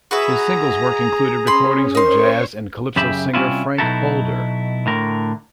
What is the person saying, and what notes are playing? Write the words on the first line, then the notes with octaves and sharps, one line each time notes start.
His singles work included recordings with jazz and calypso singer Frank Holder.
F#4 G#4 B4 E5 A#5
C#4 B5 C6
D#4 A#4 C5 C#5 C6 C#6
F#2 C#3 G4 E5 B5
C3 G3 C#4 E4 F4
B2 F#3 D#4 E4 F#4 A4
A2 D3 A#4